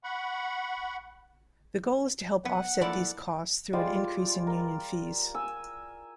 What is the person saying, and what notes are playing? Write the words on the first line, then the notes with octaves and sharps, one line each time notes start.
The goal is to help offset these costs through an increase in union fees.
F#5 B5 C#6
B3 F#5
F3 A#3 E4 A4 D5
G3 G#3 F4 D5
A#4
G#5 E6